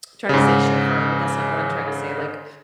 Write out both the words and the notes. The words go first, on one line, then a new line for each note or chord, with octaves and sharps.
I'm trying to say chauffeur, but that's not what I'm trying to say, like,
G#2 C#3